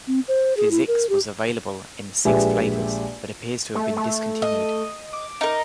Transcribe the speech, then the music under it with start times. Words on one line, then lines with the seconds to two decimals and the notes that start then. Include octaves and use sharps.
Fizzix was available in six flavors, but appears to have been discontinued.
0.07 C4
0.28 C5
0.57 G#4
0.71 E4
0.88 A#4
1.09 G4
2.25 A#1 G#3 G4 B4 E5 G#5
3.75 A3
3.97 A3
4.42 D#5
5.13 D6
5.41 D#4 A#4